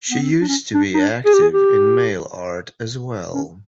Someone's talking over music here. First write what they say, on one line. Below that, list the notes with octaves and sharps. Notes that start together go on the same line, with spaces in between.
She used to be active in mail art as well.
B3
C4
D4
C#4
D4
D#4
D4
G#4
G4
G#4
G4
C#4